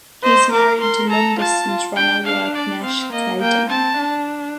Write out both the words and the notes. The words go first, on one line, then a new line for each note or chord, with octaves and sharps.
He is married to long-distance runner Werknesh Kidane.
C5 D#5
A#4 D6
A#4 C6
A4 A#5
F4 A5
F4
D4 G5
D4 F5
D5
C4 F5
A#3 D#5
A#3 G5
C4 A5
D4